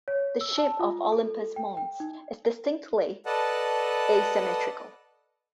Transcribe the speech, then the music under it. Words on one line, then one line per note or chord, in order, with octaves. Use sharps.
The shape of Olympus Mons is distinctly asymmetrical.
C#5
E6
A5
F4
A4
G5
G5
D#4
A4 B4 D5 D#5 F#5 A5